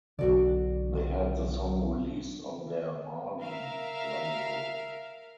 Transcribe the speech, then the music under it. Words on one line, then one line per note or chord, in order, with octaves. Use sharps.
They had the song released on their Marlee Label.
B1 D3 D4 F#4 D5
A#4 E5 F5